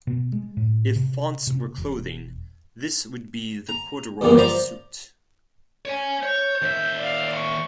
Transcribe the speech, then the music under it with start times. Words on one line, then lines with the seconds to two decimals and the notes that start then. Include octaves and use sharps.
If fonts were clothing, this would be the corduroy suit.
0.07 B2
0.33 G#3
0.57 A2
0.96 C3
1.47 C3
1.78 E1
3.69 A#5
4.21 E2 G2 A#2 D#3 A#3 B3
4.37 F3 C5 D5 A#5
5.85 C#5 G#5
6.23 C#5 G6
6.62 D#2 E5
6.99 D5 F5
7.36 C#6